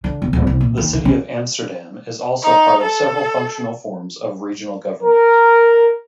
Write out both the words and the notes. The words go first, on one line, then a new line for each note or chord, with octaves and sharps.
The city of Amsterdam is also part of several functional forms of regional government.
D3
E1
D1
C2
A#2
D#2
C#3
C#4
D#4
A4
A#4